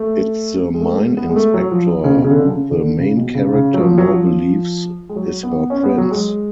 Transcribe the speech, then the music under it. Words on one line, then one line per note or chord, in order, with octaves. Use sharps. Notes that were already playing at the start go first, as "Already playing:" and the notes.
It's the mine inspector who the main character now believes is her prince.
Already playing: A3
G#3
A3
G#3
B3
G#3
A3
F#3
F3
C#3
B2
C#3
D3
C#3
D3
C#3
B2
C#3
C#3
F#3
F3
F#3
F3
G#3
F#3
B3
C#4
B3
F#3
G#3